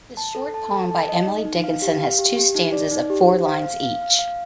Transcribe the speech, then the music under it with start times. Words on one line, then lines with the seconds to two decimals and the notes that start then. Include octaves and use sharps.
This short poem by Emily Dickinson has two stanzas of four lines each.
0.17 A5
0.35 A4
0.54 A5
0.71 A4
0.91 A5
1.09 D#5
1.26 D#4
1.45 D#4
1.64 F5
1.82 G4
2.01 F5
2.19 G4
2.36 G4
2.55 D#4
2.72 D5
2.91 D#4
3.10 G4
3.28 C5
3.47 F5
3.64 F5
3.83 F5
4.01 F5
4.19 F5